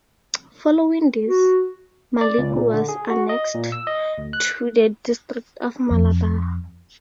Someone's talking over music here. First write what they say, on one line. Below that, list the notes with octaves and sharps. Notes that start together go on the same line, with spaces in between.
Following this, Maliku was annexed to the District of Malabar.
F#4
D5
C#2
A#2
D3
G#4
F#4
D#5
A#2
E6
D#5
D2
F#6
F2